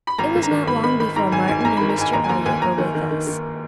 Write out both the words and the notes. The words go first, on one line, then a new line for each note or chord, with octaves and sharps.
It was not long before Martin and Mr. Elliott were with us.
B5
G#1 A#5
G#1
A#5
D#3
G#1 B5
D#3 B5
D#3 B5
G#2 A#5
G#1 G#5
G#2 G#5
G#5
G#1 A#5
B5
D#3
A#5
G#2 G#5
D#2 A#5
G#5
D#2 A#5
D#2 G#5
D#2 A#5
D#3
D#3
D#3
D#3